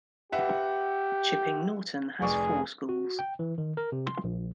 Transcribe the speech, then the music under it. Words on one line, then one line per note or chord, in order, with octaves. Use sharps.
Chipping Norton has four schools.
G4 B4 E5 F#5
F1 G#4 D5 C#6
F#4
G5
E3
D#3
A#4
C3
C6
A#1